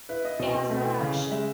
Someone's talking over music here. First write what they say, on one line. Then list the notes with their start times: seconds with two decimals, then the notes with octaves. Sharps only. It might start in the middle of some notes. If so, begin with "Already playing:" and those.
It has no action.
0.09 E4 B4
0.24 E4 D#5
0.39 B2 D#5
0.55 B2
0.70 A3
0.86 E3
1.01 C#3
1.16 C#3
1.31 G#3 E5